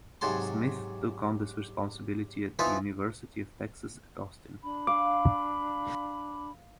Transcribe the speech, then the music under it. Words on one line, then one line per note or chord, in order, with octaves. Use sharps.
Smith took on this responsibility at the University of Texas at Austin.
G#2 C3 F#3 A5 C6
E3 F3 D#4 F4 B4 E5
D4 B5
F5 D6